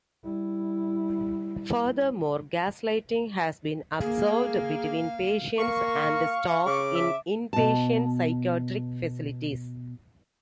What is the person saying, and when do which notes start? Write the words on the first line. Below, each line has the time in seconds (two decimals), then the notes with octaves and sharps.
Furthermore, gaslighting has been observed between patients and staff in inpatient psychiatric facilities.
0.23 G3 E4
4.01 A#3 G#4 F5
5.58 A#3 F5 C#6
6.66 C#3 D6
6.95 E5
7.53 B2 A5